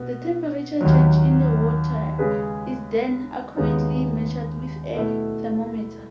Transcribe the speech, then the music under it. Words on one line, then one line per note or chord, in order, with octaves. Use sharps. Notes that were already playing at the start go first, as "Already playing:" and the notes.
The temperature change in the water is then accurately measured with a thermometer.
Already playing: B2 B3
D#2 D#3 F#3
C#3 G#3 C#4 G#4 B4
D#2 C#3 G#3 B3 D#4
B2 A3 E4